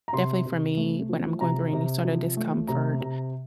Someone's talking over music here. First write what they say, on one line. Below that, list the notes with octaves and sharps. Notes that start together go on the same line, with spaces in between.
definitely for me, when I'm going through any sort of discomfort,
A#5
C3 C6
C3
A3
F3
C3 A#5
C3
F3
A3
C3 A#5
C3